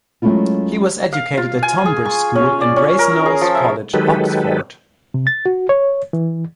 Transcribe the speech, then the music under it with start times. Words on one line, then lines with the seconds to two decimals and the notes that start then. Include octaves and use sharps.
He was educated at Tonbridge School and Brasenose College, Oxford.
0.22 F#3 G#3 A3 C#4 E4 F4
1.13 F5
1.37 F4
1.63 G#5
1.86 G#4
2.05 C#6
2.35 C#4
2.61 D5
2.76 C#4
2.99 A#4
3.26 G#4
3.41 F3
3.55 E5
3.94 D#3 F#3 G#3 G4 A4 B4
5.14 C3
5.27 A6
5.46 F#4
5.69 C#5
6.13 E3